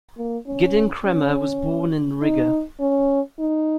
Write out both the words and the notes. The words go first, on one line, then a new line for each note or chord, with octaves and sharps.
Gidon Kremer was born in Riga.
A#3
C#4
C#4
D#4
C#4
D#4